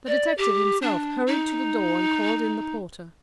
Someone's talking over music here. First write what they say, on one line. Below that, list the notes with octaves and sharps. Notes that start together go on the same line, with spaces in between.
The detective himself hurried to the door and called in the porter.
D5
G4
D4
D#4